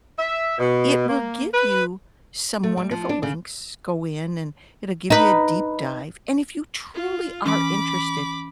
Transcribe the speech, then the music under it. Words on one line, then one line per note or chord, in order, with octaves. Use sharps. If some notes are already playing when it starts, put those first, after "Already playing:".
It will give you some wonderful links, go in and it'll give you a deep dive, and if you truly are interested,
E5
B2
A#3
B4
A3
G3
F3
D4
C#3
D#4 B4
F4
E3 C#4 B5 D6